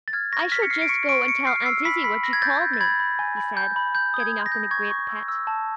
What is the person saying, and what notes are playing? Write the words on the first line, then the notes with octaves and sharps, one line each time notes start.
"I shall just go and tell Aunt Izzie what you called me," he said, getting up in a great pet.
A6
F6 G#6
C#6 A#6
F6 B6
C#7
F6 C7
D7
C#6 C#7
C#6 D7
C#6 C#7
F6 C7
E6 C7
B5 B6
B5 B6
B5 A#6
G#6
G6 A6
G6
A6
B5 G#6
B5
G#5
B5
G6
B5
B5 G6
D#6
G#6
B5
A#6
G6
C#6 G#6
C#6
E6
E6
A5